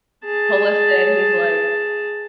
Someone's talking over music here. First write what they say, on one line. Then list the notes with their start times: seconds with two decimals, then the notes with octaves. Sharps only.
pull us in. He's like
0.25 G#4 A5